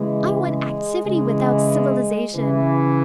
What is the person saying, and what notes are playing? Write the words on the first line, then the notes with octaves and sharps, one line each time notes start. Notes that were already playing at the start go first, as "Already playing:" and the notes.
I want activity without civilization.
Already playing: C#3 E3 G#3
G#3
C#3 E3 G#3
C#3 E3